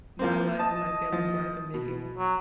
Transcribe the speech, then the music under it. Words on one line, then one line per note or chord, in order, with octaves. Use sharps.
my life and my family's life, and making
F3 A#3 C4
D#5 A5
F3
B2
F#3